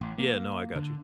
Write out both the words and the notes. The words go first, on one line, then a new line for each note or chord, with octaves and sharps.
Yeah, no, I gotcha.
A1
A#3
D3